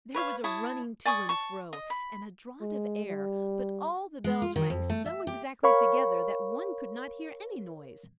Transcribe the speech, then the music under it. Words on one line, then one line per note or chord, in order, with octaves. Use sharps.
There was a running to and fro, and a draught of air, but all the bells rang so exactly together that one could not hear any noise.
B4 C#5 E5 F5
E4 C#5 A5 D#6
D5 G#5 C#6 D#6
A5 C#6
D#5
B5
G#3
G3
G#3
F4
D#3
F2
A3
E5
G4
A#4 C#5 F5 B5 C#6